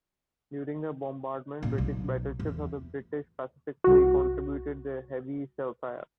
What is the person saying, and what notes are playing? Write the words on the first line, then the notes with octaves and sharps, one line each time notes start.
During that bombardment, British battleships of the British Pacific Fleet contributed their heavy shellfire.
A#2
B1
E2
C2 F#4